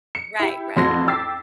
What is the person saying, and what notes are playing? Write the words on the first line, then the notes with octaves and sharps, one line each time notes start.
Right, right.
C#7
E4 G4
A1 F2 F#3 C6 G#6 A#6
G5 D6 E6 A6 B6 C7